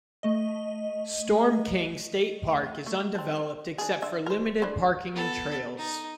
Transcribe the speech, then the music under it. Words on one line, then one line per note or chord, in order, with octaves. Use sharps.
Storm King State Park is undeveloped except for limited parking and trails.
A3 D#5
A3
C4 D4
D4 G#4
D3 E5
A#4 C5
D4 E4 C5
B3 A4
D#4